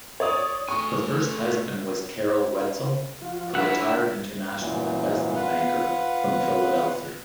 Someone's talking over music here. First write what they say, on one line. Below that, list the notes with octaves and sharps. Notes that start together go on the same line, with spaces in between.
Her first husband was Carroll Wetzel, a retired international investment banker from Philadelphia.
C#5 D5 D#6
A3 G#5 C#6
F3 F4 F#4
D3 E4 E5 F#5
F#2 A#2 E3
F4 B4 F#5